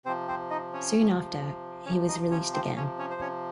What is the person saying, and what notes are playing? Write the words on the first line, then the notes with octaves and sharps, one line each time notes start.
Soon after, he was released again.
C3 F3 C4 C5
C4 C5
D#4 D#5
C#4 C#5
C3 F3
C3 F3 C#4 C#5
D#4 D#5
C#4 C#5
C4 C5
C3 F3 C#4 C#5
C#4 C#5
C5
C#4 C#5